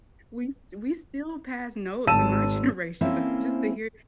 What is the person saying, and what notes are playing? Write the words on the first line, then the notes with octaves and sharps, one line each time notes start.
We st we still pass notes in my generation, but just to hear
G#1 A5 E6 D#7
A#3 C4 C#4 E4 A4 C5